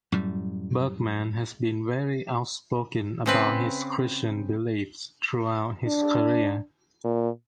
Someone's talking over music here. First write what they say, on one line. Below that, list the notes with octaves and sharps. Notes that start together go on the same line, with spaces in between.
Berkman has been very outspoken about his Christian beliefs throughout his career.
F#2 A2 G3
C#3 C4 B4
D4
A#2